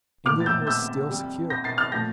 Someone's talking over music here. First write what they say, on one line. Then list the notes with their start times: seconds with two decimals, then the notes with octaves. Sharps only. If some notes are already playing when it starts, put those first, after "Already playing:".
England was still secure.
0.25 A#2 F3 A3 D6 F6
0.40 A6
0.46 E6 G6
0.67 E6 G6
1.09 F2 C3 G3
1.50 G6 A#6
1.64 A6 C7
1.78 F6 A6
1.92 A#2 F3 A3 G6 A#6